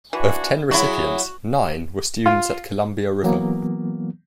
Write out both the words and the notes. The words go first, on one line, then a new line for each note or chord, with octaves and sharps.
Of ten recipients, nine were students at Columbia River.
E3 D4 F#4 G#5
F#3 E4 F#4 G#4
F4
E3 F#3 A#3 B3